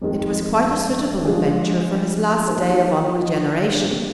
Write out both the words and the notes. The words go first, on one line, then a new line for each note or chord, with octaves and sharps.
It was quite a suitable adventure for his last day of unregeneration.
F2 D#3 G#3
F3 G#3 D4 F4 G#4
D#3 A#3 D#4 G4 C5
G3 A#3 D4